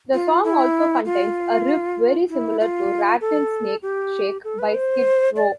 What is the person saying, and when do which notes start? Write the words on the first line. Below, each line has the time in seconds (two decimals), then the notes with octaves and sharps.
The song also contains a riff very similar to "Rattlesnake Shake" by Skid Row.
0.14 F4
0.44 E4
1.05 F4
2.29 E4
2.60 F4
3.21 A4
3.82 G4
4.44 A4
4.59 B4
4.74 C5
5.36 D5